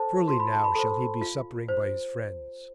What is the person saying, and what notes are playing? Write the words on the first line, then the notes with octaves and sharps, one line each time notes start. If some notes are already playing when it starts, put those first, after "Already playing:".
"Surely now shall he be suppering by his friends."
Already playing: A4 C5 A5
F4 C6
B5
A5
B5
A4 C5
F4
C5